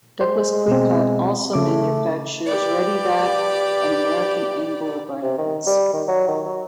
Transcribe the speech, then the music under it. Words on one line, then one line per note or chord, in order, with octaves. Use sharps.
Douglas Quikut also manufactures ReadiVac and American Angler brands.
G#3 C5
B2 C4
C#3 A3 D6
G4 B4 D5
C3
D#3
G3
D#3
F#3
D#3
F#3